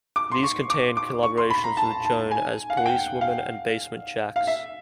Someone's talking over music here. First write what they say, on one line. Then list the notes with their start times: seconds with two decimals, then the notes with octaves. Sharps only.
These contained collaborations with Joan As Police Woman and Basement Jaxx.
0.16 D6
0.32 C6
0.43 C#6
0.70 D6
0.97 D6
1.23 C#6
1.37 C6
1.50 B5
1.64 A#5
1.77 A5
2.05 A5
2.31 G#5
2.70 F5
2.77 F#5
2.86 G5
3.21 F5
4.36 F5
4.47 E5